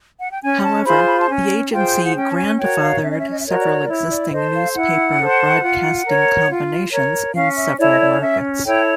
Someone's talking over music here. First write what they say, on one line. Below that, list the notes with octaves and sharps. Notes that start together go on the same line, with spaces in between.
However, the agency "grandfathered" several existing newspaper-broadcasting combinations in several markets.
F#5
G5
C#4 G#5
A5
F4 G#4 C5 B5
B5
A5
C#4 G#5
F4 G#4 C5 G5
F#5
C#4 G5
A5
G#5
F#4 A#4 C#5 G5
F5
C#4 E5
D#5
E5
D#5
E5
F#4 A#4 C#5 D#5
D5
D5
E4 C#5
D5
A4 C5 D#5
F5
E4 F#5
A4 C5
F4
A#4 C#5
F4
A#4 C#5
C#4 F5
E5
E4 A4 C#5 D5
D#5
D5
C#4 E5
E4 A4 C#5 G5